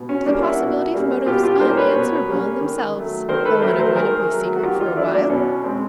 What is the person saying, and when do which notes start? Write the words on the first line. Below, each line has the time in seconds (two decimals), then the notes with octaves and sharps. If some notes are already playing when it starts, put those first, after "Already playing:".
To the possibility of motives unanswerable in themselves, though unavoidably secret for a while?
Already playing: B2
0.09 C#4
0.26 G3 A#3 C#4 D4
0.43 E4 F#4
0.60 B2
0.93 G3 A#3 C#4
1.26 B2 F4 G4
1.43 F4 G4
1.60 G3 A#3 C#4 A#4 C5
1.77 B4 C#5
1.95 B2
2.28 G3 A#3 C#4
2.61 D#3
2.95 F#3 A3
3.29 D#3 A#4 C5
3.45 A4 B4
3.62 F#3 A3 A#4 C5
3.79 A#4 C5
3.95 D#3 G#4 A#4
4.29 F#3 A3
4.56 F#4
4.63 D#3 F4 G4
4.79 D#4 F4
4.96 F#3 A3 D4 E4
5.14 D4
5.30 B2 C#4
5.64 G#3 C4